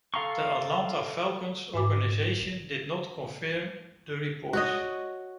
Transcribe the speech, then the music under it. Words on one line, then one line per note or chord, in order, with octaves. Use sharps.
The Atlanta Falcons organization did not confirm the reports.
A4 F5 A#5 C6 C#6
G#2 F#4 D6
F#4 C#5 D#5